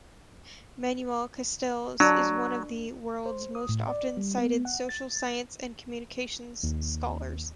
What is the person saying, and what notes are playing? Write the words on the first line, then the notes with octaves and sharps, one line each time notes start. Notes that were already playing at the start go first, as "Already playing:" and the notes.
Manuel Castells is one of the world's most often-cited social science and communications scholars.
F#3 D4
C5
D#6
A2
D5
G3
B3
F#5
A6
D#2